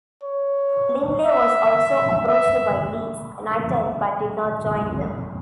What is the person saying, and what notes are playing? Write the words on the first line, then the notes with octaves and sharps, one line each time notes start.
Lindley was also approached by Leeds United but did not join them.
C#5
E5
E5